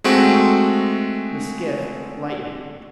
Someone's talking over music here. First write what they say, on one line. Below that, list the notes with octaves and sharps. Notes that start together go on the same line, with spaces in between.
The Skiff "Lightning."
G#3 A3 C4 F#4